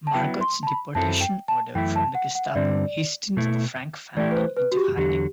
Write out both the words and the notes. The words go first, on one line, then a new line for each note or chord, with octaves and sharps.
Margot's deportation order from the Gestapo hastened the Frank family into hiding.
A5
F#3 B3 E4 G5
C6
A5
B5
F#2 F#3 C4 E4 A4 A5
G5
A5
F#2 E3 A3 E4 G5
A5
F#5
F#5
E5
G2 D3 G3 C4 D5
B2 A3 E4
E3 A3 E4 G4 D5
B4
C5
B4
F#4
G4
E2 D3 F#3 G4